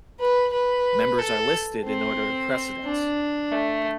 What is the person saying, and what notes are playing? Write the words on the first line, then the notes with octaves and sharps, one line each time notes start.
Members are listed in order of precedence.
B4
B4
A4
C4
D4
A3